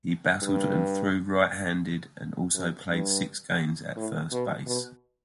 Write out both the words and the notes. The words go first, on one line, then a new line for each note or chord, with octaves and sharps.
He batted and threw right-handed and also played six games at first base.
G2
F#2
G2
A2
B2
B2